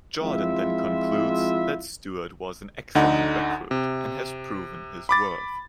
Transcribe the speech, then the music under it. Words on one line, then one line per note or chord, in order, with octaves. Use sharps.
Jordan then concludes that Stewart was an excellent recruit and has proven his worth.
F3 G#3 C4 E4 F4 E5
D2 D3 D#4 F#5
C3
B5 D6 A6